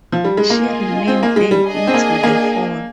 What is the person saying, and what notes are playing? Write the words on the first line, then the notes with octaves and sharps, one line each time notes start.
She remained there into the fall.
F3
G3
G#3
A#3 F4 G#4 D#5 G#5
C4
A#3
G#3
G3
D4 G#4 D#5 G#5
C4
A#3
A#3